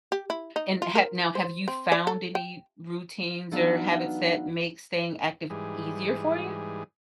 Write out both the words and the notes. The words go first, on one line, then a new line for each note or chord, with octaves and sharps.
and have now, have you found any routines or habits that make staying active easier for you?
G4
E4
D#4
F4
A#4
C5
C4
D5
A4
G5
E3 F#3 B3 D4 D#4 F4
G#2 E3 G3 G#4